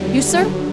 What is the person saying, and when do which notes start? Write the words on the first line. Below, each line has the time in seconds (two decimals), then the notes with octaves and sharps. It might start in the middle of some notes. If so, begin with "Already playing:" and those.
You, sir?
Already playing: E2 D3 F#3 G3
0.35 G2 D3 F#3 A3